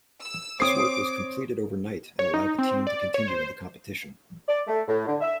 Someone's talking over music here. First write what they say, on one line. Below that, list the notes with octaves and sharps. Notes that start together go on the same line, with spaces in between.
This work was completed overnight and allowed the team to continue in the competition.
E6
C4 C#5 D6 D#6 C7
C#5
D#4
C4
D5
C#5
C5
D5
A3
A2
D3
E5